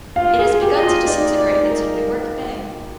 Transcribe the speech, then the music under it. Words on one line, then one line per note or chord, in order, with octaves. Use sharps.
It has begun to disintegrate into Newark Bay.
F4 F5
G#4
F4
G4
D#5
F4
D#4 D5
D5
D#4
A#4